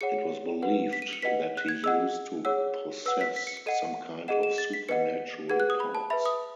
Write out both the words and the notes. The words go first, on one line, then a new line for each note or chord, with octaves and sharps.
It was believed that he used to possess some kind of supernatural powers.
G#4 C#5 F#5 C#7
B4 F#5
B6
D#7
C#7
B4 D#5 F#5 B6
F#6
G#6
G#4 D#5 F#5 E6
G#4 C#5 F#5 E6
B4 F#5 E6
B6
B6
C#7
C#7
A4 D#5 F#5 D#7
G#4 D#5 F#5 E7
E7
A6
B6
B4 D#5 F#5 C#7
G#4 B4 F#5 G#6
F#6
D#6
B5
A5
B4 E5 B5
D#6